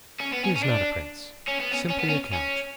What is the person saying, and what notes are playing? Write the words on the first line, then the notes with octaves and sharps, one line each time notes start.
"He is not a prince; simply a count."
C#4
B3
C#4
C#4
D4
C#4
B3
C#4
C#4
B3
C#4
C#4